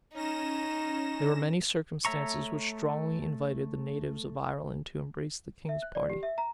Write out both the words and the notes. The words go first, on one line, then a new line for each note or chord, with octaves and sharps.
There were many circumstances which strongly invited the natives of Ireland to embrace the king's party.
C#4 D#4 A#6 E7
A3 C#5 E5 A#5 C#6
E5
F#6
D5
G4
E5
A#5